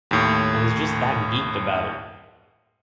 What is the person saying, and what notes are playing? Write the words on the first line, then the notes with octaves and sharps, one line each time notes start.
I was just that geeked about it.
D#2 A2